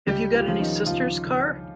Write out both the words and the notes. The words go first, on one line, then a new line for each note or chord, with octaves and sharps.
Have you got any sisters, Carr?
C#2 G3 G4
F4
G4
C#3 F3 F4
D#3 D#4
C#2 F3 F4
C#3